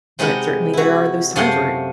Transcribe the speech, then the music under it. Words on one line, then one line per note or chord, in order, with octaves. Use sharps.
but certainly there are those times where
C3 G#3 D#4 B4 F#5
E4 F#4
F#2 C3 A3 F5 F#5 C6